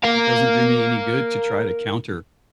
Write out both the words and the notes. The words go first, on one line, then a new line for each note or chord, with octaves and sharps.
It doesn't do me any good to try to counter,
A#4 F5